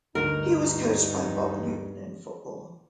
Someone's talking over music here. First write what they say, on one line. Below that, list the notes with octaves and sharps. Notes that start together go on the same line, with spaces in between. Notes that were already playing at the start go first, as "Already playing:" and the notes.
He was coached by Bob Newton in football.
D2 G2 D#4 A#4